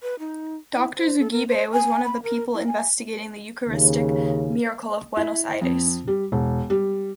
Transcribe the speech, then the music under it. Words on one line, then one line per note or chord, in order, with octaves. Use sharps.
Doctor Zugibe was one of the people investigating the Eucharistic miracle of Buenos Aires.
B4
D#4
E4
C5
A4
A#4
C5
G#5
B5
A#4
E4
G#5
D#2 C#3
E4
F2
G3
E1
G3